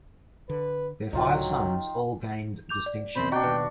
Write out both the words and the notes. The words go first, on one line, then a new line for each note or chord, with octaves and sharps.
Their five sons all gained distinction.
D3 B4
C#2 A2 D3 F#3 D#4 F4 G5
D6 G6 F7
D5
F#2 B2 C4 C5 B5
D4 F#4 D#5 G5 A#5
D#2 B2 B4